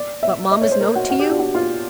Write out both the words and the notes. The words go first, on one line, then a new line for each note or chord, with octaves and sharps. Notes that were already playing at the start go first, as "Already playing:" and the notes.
"But mamma's note to you?"
Already playing: D5
E5
D#5
C#5
C5
A#4
F#4
F#4
G4
D4
F#4
F4